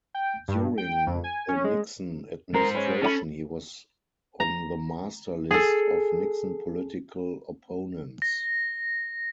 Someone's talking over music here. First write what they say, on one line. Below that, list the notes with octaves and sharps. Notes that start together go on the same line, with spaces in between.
During the Nixon administration, he was on the master list of Nixon political opponents.
G5
G2
G5
F2
G#5
C#4
G#3
G#3 A#4 C5
C#4 G#4 B4
C#4 A4 D5 B5
A#5
G#4 A4
A#6